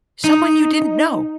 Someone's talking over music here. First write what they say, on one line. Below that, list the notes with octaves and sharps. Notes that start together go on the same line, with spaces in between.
Someone you didn't know?
D#4